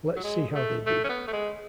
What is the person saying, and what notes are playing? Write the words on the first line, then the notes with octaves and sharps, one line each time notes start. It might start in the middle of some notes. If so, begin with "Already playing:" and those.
Let's see how they do.
F#3
G#3
A3
A3
C#4
B3
A3
G#3